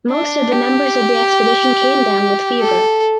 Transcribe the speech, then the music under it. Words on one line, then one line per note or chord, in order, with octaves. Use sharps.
Most of the members of the expedition came down with fever.
D4
G4
A4